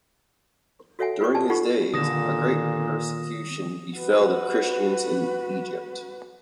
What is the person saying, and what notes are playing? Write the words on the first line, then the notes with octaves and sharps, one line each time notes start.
During his days, a great persecution befell the Christians in Egypt.
F#4 A4 C#5 E5 F#5 G#5
F4 B4 C#5 C#6 D6
D5 G#5 A5
D#4 F4 G4 A4 F#5 C#6
A#2 D3 D#3 D#6 A#6 E7
F#4 B4